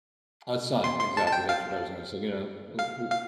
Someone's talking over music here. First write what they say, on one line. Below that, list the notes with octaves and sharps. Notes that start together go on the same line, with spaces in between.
A sign, exactly. That's what I was gonna say, you know.
C6
C6
A5
A5
G5
F5
F5
F5